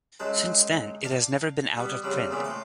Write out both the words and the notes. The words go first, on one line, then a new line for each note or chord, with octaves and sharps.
Since then, it has never been out of print.
F#2 F#3 G#3 C5 A5
D5 F5 A5
G3 B3
C#3 F#3 G3 C4
A#2 C#3 E3 F#3 B3 C4
A2 C6 D6